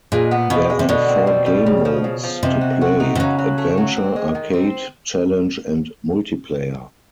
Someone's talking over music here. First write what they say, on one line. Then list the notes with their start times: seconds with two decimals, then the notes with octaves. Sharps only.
There are four game modes to play: Adventure, Arcade, Challenge, and Multiplayer.
0.12 A#2 G#3
0.31 B3
0.50 B2 F3
0.70 G#3
0.79 C3
0.89 B2 D3
1.09 C4
1.27 G3
1.46 G3
1.66 C#3
1.85 F3
2.04 C#3
2.23 F3
2.43 C3 D#4
2.61 F#4
2.81 F#4
3.00 D#4
3.15 C3
3.19 C#3 F#3
3.39 F#3
3.58 A3
3.78 F#3
3.96 C4
4.16 G#3
4.35 D#3
4.53 C4